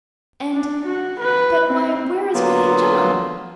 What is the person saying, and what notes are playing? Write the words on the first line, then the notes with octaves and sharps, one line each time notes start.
"And--but, why, where is William John?"
D4
F#4
B4
C4
D3 F#3 A#3 B3 F4